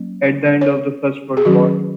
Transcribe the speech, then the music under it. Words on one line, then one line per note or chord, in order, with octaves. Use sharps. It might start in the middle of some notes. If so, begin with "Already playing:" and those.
At the end of the First World War.
Already playing: F#3 A#3 C#4
C#5
G#4
D#3 F#3 C#4 F#4